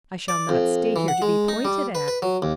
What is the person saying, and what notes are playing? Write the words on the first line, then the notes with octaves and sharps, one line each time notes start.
I shall not stay here to be pointed at.
D5
F2
E3
F#5
G#3
D#4
G3
B4
B4
F#3
D#2